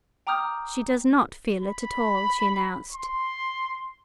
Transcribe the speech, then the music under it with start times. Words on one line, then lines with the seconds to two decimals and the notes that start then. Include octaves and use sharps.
"She does not feel it at all!" she announced.
0.27 G5 A#5 D6 D#6 F6 G6
1.60 B5
2.92 C6